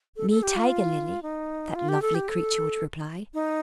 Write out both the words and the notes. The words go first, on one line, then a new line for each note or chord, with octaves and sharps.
'Me Tiger Lily,' that lovely creature would reply.
A4
A4
G4
F4
D#4
F4
G4
A4
G4
A4
D#4